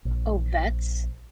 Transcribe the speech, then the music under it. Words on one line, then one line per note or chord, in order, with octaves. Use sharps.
Oh, vets?
A#1